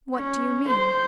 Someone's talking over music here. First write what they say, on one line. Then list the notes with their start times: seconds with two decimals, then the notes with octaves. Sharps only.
"What do you mean?"
0.16 C#4
0.67 C5